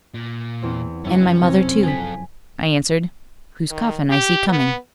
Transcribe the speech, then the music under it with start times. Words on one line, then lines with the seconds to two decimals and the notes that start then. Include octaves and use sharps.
"And my mother, too," I answered, "whose coffin I see coming."
0.14 A#2
0.62 E2 C4
1.05 F#1 F2 C#4 E4
1.41 C3 C4 A#6
1.83 F4 A4 G#5 B6
3.71 D#3
4.10 G4
4.49 B3